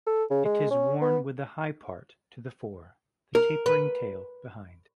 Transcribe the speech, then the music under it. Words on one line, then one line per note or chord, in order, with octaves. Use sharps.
It is worn with the high part to the fore, the tapering tail behind.
A4
C#3
G#3
C#4
B3
A#4
B4